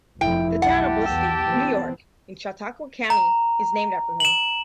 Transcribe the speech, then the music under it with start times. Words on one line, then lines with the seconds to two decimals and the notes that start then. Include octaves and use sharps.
The Town of Busti, New York in Chautauqua County is named after him.
0.21 F1 F2 F3 E4 G5
0.62 B1 G4 F#5 A5
1.06 E2 E6
1.46 E3 B3 C4
3.10 A#5
4.20 E7 F#7